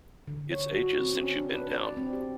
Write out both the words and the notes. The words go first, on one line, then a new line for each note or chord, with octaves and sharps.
It’s ages since you’ve been down.
D3
C#5
F#4
C4
C#4
D4
B4
D5
C4
G4